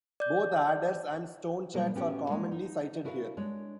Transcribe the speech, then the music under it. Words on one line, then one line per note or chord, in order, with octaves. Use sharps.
Both adders and stonechats are commonly sighted here.
D5 G6
B2 F#3 G3 A#3 F4 A#4
A2 B3 C#4 F#4 G4 G5
D#3 E3 G#3 A#3 C#5
D#4
D4 E4 F#4 A#4 D5 F5
G#3 D4 C#5